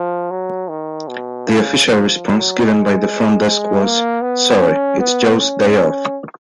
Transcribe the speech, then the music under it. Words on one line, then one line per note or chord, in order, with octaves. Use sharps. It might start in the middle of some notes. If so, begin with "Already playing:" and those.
The official response given by the front desk was, Sorry, it's Joe's day off.
Already playing: F3
F#3
D#3
B2
C#3
F3
F#3
G#3
A#3
B3
C#4
B3
C#4
C#4